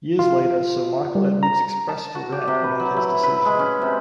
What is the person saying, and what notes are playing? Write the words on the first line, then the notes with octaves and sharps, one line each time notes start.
Years later, Sir Michael Edwardes expressed regret about his decision.
F4
G3
A#5
A5
F#4
G4
C3
B4
F#3
E4
B4
G#3
C#4
C3